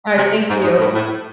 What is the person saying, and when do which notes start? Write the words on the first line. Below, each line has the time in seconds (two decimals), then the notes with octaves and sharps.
Alright, thank you.
0.17 C3
0.49 G#2
0.63 G#2
0.79 A2
0.95 A2